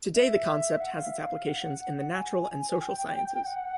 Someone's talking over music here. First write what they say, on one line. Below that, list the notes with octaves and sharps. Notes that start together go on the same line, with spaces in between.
Today the concept has its applications in the natural and social sciences.
E5
F#5
F5
E5
F5
F#5
G#5
G5
F#5